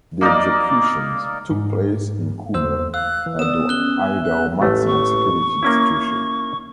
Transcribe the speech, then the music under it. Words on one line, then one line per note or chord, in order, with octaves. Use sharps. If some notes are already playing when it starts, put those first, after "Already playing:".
The executions took place in Kuna at the Idaho Maximum Security Institution.
A#3 D#4 A#4 D5
G#2
E2 C5 E6
F5 E6 F#6
E3
B3 D5 D#6 E6 E7
C#4 F#6 G7
E5 G#5
F#6
A1 A3
C#6
A#3 C#4 E4